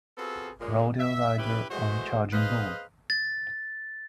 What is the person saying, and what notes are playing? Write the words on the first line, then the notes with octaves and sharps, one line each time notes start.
Rodeo rider on charging bull.
B3 C4 F4 F#4 G#4 A4
A#2 C#3 G#3
E5
B3 C#4 E4 G4 B4
E3 G#3 A3 F#4 G#4 C5
G#4 B4 C5 D#5 F5
A6